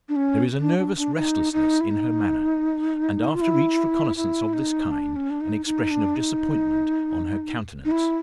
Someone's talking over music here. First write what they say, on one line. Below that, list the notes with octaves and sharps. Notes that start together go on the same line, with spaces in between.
There is a nervous restlessness in her manner, and after each reconnaissance of this kind, an expression of disappointment on her countenance.
D4
C#4
D4
D4
D4
D#4
D#4
E4
D#4
F4
E4
E4
D#4
D4
C#4
D4
D#4
D#4
D4
D#4
D#4
E4